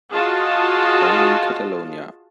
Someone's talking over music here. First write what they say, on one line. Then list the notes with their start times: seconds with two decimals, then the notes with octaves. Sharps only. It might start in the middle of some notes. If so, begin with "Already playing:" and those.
Only in Catalonia.
0.12 F4 F#4 G#4 D#5 F5 A5